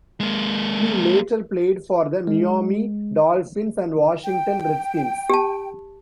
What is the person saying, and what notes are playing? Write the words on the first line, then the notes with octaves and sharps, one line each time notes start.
He later played for the Miami Dolphins and Washington Redskins.
G#3 A#3
G#3
G5
G4 A5